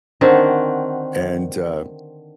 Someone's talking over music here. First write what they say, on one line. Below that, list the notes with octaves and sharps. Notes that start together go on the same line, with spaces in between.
and, uh,
D3 D#3 C4 F#4